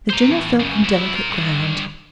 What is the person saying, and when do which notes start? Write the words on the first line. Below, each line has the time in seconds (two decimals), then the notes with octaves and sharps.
The General felt on delicate ground.
0.10 C5 A#5
0.30 A2 E3
0.60 F#2 C#3
0.84 F#2 E4
1.16 F4 A#4
1.30 G2 D3